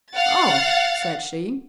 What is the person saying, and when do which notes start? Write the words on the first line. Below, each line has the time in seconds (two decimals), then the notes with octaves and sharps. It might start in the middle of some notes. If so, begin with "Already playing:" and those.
"Oh!" said she.
0.13 F5 F#5 A6